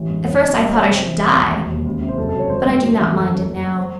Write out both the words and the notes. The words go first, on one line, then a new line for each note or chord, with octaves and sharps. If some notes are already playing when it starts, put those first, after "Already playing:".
At first I thought I should die--but I do not mind it now.
Already playing: A1 E3
G#2
F#1 C#5
F#2 D#5
C2 D#5
C3 C#5
F#2 C5
E3
E1
D#2
E1
D#2
C#2
C3
C5
F#1 A4
A4
F#2 C#5
G#1 C5
G#2
F#2
E3
F#1 A4
F#2
F#1
F#2
C5